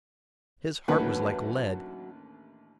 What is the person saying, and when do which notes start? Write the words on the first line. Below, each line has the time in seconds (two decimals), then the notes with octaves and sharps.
His heart was like lead.
0.88 A1 D#2 D3 F#3 B4